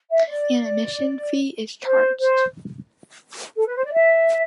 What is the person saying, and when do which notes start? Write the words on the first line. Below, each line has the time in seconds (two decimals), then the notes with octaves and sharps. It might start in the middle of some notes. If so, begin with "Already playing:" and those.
An admission fee is charged.
0.09 E5
0.27 D5
1.84 C5
2.19 C5
3.56 A4
3.66 B4
3.75 C5
3.84 D5
3.93 E5